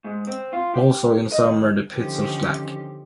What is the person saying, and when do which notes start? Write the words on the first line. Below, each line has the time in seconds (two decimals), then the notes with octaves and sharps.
Also, in summer, the pits are slack.
0.04 G#2
0.27 C4
0.53 F4
0.74 G4
1.32 D#5
1.45 D#3
1.91 D3 D#3 F3 C4 C#4 G4